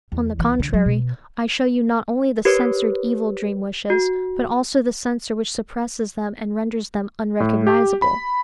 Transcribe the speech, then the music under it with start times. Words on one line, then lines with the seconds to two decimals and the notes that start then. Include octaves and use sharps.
On the contrary, I show you not only the censored evil dream-wishes, but also the censor which suppresses them and renders them unrecognizable.
0.12 E2
0.38 C#2 E3
0.60 D3
0.74 F#3
0.86 B2
2.45 G4 A#4 B4 C#5
3.90 F#4
7.40 A2
7.67 G4
8.02 B5